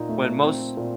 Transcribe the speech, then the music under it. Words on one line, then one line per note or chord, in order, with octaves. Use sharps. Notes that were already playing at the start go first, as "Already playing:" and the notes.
when most
Already playing: A#2 D#4
A3
C4
A#2